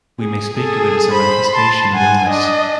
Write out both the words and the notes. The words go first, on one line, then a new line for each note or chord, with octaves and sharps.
We may speak of it as a manifestation of illness.
G#4
G#4 A4
C5 B5
A5 C6
F#5 G#5
D4 D#5